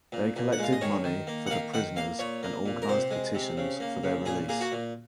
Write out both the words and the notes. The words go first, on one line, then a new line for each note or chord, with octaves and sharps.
They collected money for the prisoners and organised petitions for their release.
A#2
A#2
F#5
G#3 F5
D#5
D#3 C#5
D#3
A#3
F#5
D#3 F5
D#3 F#5
A#3 F5
A#2 C#5
A#3
A#2
A#4
C3 C5
G#3
C3
C#3
A#3
C#3
A#2 G#4
A#3 G#4
F#4
A#2